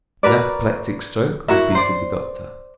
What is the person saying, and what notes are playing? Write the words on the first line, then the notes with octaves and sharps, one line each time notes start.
"An apoplectic stroke?" repeated the doctor.
F#4 A#4 B4 D5
E4 F#4 A#4 E5
C5 D5